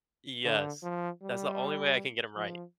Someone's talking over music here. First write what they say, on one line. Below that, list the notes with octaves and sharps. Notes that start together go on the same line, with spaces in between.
Yes, that's the only way I can get 'em right.
D3
F3
G3
F3